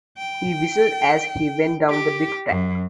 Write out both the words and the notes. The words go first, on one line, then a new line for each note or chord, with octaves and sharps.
He whistled as he went down the brick track.
G5
G4
F#2